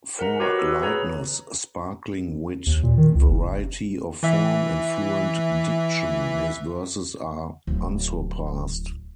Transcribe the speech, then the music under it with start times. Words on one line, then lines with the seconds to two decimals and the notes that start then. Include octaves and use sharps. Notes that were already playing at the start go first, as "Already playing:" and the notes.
For lightness, sparkling wit, variety of form and fluent diction, his verses are unsurpassed.
0.19 A#4 F#5 A#5
0.40 F#4 G4 B4 C#5 D#5 F#5
0.59 A4 B4
0.81 G#4 B4 C#5 A#5
2.67 D#2
2.83 A#2
2.98 D#3
3.15 C#2
3.29 F#1
4.23 E3 E5
7.67 D1